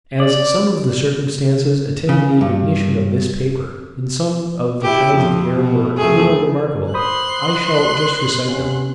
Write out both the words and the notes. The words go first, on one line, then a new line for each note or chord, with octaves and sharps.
As some of the circumstances attending the ignition of this paper in some of the kinds of air were a little remarkable, I shall just recite them.
D5
C#3
G2
E4 G4
F2
B2
F2 A3 G#4
C5 B5 C6 D#6 F#6
C3 B3 C#4